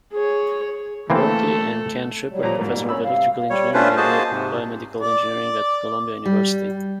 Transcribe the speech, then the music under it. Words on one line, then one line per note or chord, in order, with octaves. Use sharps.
Berkeley, and Ken Shepard, Professor of Electrical Engineering and Biomedical Engineering at Columbia University.
G#4 C#5
E3 A3 A#3 C4 A4
F#3 G3
A#2 F3 A#5
G#2 B2 G3 A#3
C#4 C#5 B5 E6
C3 F5
G3 C#5
A3 C#4 D4 F4 B4 C5
A#3 F#4 G#4 C5 D#5 A5
G#2 C3
D5
G3